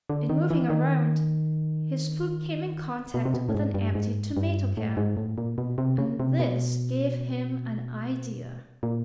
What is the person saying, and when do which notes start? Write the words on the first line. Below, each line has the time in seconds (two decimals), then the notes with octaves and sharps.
In moving around his foot came in contact with an empty tomato can and this gave him an idea.
0.09 D3
0.30 D#3
0.50 E3
0.70 D#3
3.14 B2
3.25 C3
3.34 B2
3.49 A2
3.55 G#2
3.74 G2
3.95 G#2
4.37 G2
4.77 A2
4.97 G#2
5.17 A2
5.38 A#2
5.58 B2
5.78 C3
5.98 C#3
6.20 C3
6.39 B2
8.83 A#2